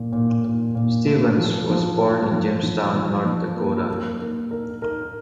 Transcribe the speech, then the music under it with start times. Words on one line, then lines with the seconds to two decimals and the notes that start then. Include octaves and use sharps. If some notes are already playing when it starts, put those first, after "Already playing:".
Stevens was born in Jamestown, North Dakota.
Already playing: A#2
0.13 A#2
0.44 A#2
0.75 A#2
1.06 A3
1.38 F3
1.70 F3
2.00 F4
2.32 F3
2.63 F3
2.94 F3
3.26 F3
3.57 A#3
3.89 A#3
4.19 A#3
4.51 A#4
4.82 A#4